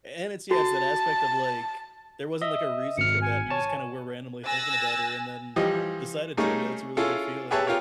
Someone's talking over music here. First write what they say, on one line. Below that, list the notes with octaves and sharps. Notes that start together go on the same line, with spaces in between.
And it's yeah, it's that aspect of like, there wasn't, like, a reason for that you just kinda were randomly thinking about her and then decided to, and yeah, that's a really good feeling.
F#4 A5
D#5 E5
G#1 F6 C#7
G#5
C#5 A5
G#5 E6 F#6 A6 A#6
E3 F3 G3 G4 D#5
G3 A3 A#3 C#4 D#4 G#4
C#4 E4 F4 G#4 A4
G4 G#4 B4 C#5 E5 A5
F4 G4 A#4 C#5